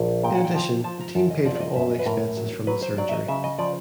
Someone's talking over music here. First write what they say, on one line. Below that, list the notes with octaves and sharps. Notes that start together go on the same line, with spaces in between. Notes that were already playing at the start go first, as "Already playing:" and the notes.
In addition, the team paid for all the expenses from the surgery.
Already playing: A#1
A#2 G5
F#5
G5
F3
F3 A5
A#5
F#2 A5
D#5
F3 D5
D5
D#5
F#2 E5
D#5
B4
A2 A#4
F#3
F#3 B4
C5
F#3 D5
E5
D#5
C#3 E5
D#5
F3 D5